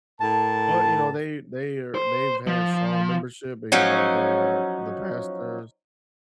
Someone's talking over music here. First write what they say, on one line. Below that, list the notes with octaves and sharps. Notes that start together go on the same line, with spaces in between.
but, you know, they they are they've had strong membership and, you know, their the pastors
A2 A#4 A5
C5
F3
F3 F#3 C#4 D#4